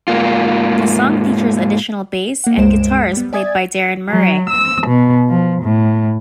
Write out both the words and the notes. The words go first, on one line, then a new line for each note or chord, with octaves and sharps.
The song features additional bass and guitars played by Darren Murray.
G#2 A#3 F4
A#3 F#5
C#2 G2 G#3 C5 D7 E7
G3 B3
D5 E5 G#5 D#6 G#6 A6
F#3
E6
B2
F3
A2